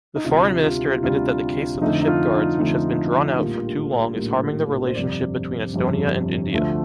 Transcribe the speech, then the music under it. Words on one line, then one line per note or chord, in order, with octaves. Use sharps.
The Foreign Minister admitted that the case of the ship guards which has been drawn out for too long is harming the relationship between Estonia and India.
D#4
D2 C3 G3 F4
F4
D2 C3 G3 F4
F2 D3 A3 D#4
D#4
F4
D#4
F2 D3 A3 F4
A#1 A2 G3 A#3 F4
G4
A#1 A2 G3 A#3
C5
G1 F2 C3 D5
G1 F2 C3
D2 D3 F3 A3